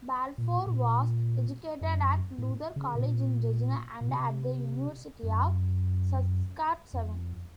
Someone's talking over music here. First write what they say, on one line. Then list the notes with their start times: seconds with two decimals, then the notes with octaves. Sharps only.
Balfour was educated at Luther College in Regina and at the University of Saskatchewan.
0.38 A#2
0.67 A#2
1.81 F#2
2.38 A2
2.76 C#3
2.95 A#2
4.01 A#2
4.08 C3
5.23 F#2
6.93 F2